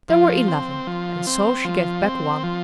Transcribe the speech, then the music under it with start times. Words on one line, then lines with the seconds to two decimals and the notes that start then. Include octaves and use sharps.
There were eleven, and so she gave back one.
0.09 F3
0.48 C4
0.87 F3
1.27 C4
1.65 F3
2.04 C4
2.43 F3